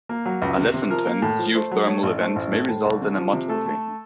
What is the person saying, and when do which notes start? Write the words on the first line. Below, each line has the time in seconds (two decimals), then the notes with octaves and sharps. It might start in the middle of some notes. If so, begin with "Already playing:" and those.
A less intense geothermal event may result in a mud volcano.
0.09 A#3
0.26 F#3
0.42 C#2
0.58 C3
0.74 C3
0.90 F3 A#4
1.07 A#3
1.22 A2
1.39 F3
1.55 A3 C5
1.71 F#3
1.87 A3 C#5
2.03 A1
2.20 A3 C5
2.36 A1
2.52 A2
2.68 A2
2.85 C2
3.01 C3
3.17 F3
3.33 C3
3.49 A3 A4
3.66 A3